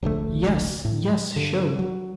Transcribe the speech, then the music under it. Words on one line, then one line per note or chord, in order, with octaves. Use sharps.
Yes, Yes Show!
D1 A#1 D3 A3
A2
G3
G2 D3
F#3